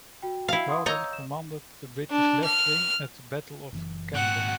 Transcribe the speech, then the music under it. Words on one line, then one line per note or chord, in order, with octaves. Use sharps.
Rawdon commanded the British left wing at the Battle of Camden.
F#4 G5
E4 F5
F#5 C6 D#6
C#5 D#5 A#5 E6 G6
E7
D4
F6
F#1 A2 E3
G#2 C4 F#4 F#5